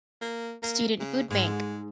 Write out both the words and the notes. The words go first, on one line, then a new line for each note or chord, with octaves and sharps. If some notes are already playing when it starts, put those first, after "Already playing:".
Student Food Bank.
A#3
A#3
C#3
G#2 G#3